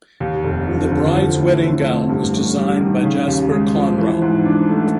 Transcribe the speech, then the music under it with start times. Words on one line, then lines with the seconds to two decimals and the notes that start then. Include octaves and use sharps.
The bride's wedding gown was designed by Jasper Conran.
0.20 D#2
0.44 F1
0.67 F3
0.91 D3
1.15 F3
1.38 A2
1.62 C4
1.86 A3
2.09 G2
2.33 A1
2.56 G3
2.80 D#3
3.04 C#3
3.27 D#2
3.51 G#3
3.75 F3
3.98 E3
4.22 G#2
4.45 D4
4.69 A3